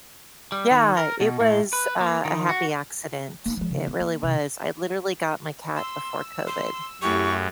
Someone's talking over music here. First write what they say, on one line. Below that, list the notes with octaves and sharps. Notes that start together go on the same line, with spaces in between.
Yeah, it was, uh, a happy accident, it really was. I literally got my cat before COVID,
G3
D#3
A#4
B2
A2
B4
A#3
D#3
F#4
A#3 D#4
F3 G#3
C#3
B3
A#3
C3 E4
C6 E6
C6
F#2 A3 E4 G4 C#6